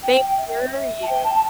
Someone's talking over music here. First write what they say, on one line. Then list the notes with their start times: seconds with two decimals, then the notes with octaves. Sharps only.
They hear you.
0.02 G5
0.20 G5
0.36 E5
1.02 A5
1.06 G5
1.23 A5
1.34 A5